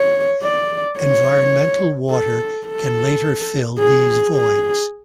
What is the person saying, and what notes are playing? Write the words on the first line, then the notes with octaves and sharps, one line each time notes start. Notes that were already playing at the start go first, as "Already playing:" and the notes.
Environmental water can later fill these voids.
Already playing: C#5
D5
C#5
A4
A4
G#4
G#4